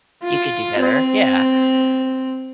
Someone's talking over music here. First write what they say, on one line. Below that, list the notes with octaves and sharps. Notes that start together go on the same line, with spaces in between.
"You could do better." Yeah.
F4
C4